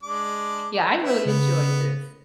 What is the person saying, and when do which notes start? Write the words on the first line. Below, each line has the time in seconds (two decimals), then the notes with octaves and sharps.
yeah, I really enjoyed this.
0.03 G#3 D4 D6
1.03 B4 E5
1.26 C#3 B3